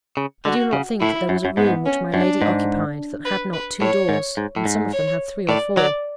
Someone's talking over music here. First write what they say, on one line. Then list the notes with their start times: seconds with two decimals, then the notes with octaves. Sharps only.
I do not think that there was a room which my lady occupied that had not two doors, and some of them had three or four.
0.17 C#3
0.45 D3 F#4
0.73 C#3
1.01 A2 E4
1.29 F#2
1.45 F#2
1.57 G#2 B3
1.86 C#4
2.14 F#2 D4
2.42 G#2
3.25 B4
3.53 B4
3.81 A2 C#5
4.09 G#2
4.37 G#2
4.56 A2
4.66 G#2
4.93 C#5
5.49 A2 D5
5.77 F#3 D5